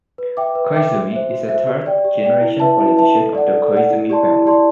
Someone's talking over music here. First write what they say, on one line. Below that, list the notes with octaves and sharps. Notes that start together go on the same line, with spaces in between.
Koizumi is a third-generation politician of the Koizumi family.
B4
E5 G5 D6
B4
E5 G5 D6
F#4
C5 E5
F#4
C5 E5
G4
D5 G5
G4
D5 G5
E4
B4 E5 A5
E4
B4 E5 A5
A4
D5 F#5
A4
D5 F#5
E4
G4 D5 A5 C6
E4
G4 D5 A5 C6